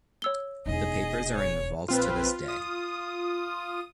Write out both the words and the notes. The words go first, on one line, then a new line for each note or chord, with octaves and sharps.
The papers are in the vaults to this day.
C#5 E6 G7
E1 D#4 G#4 D#5
C#5
A#1 C4 F4 B4
D#6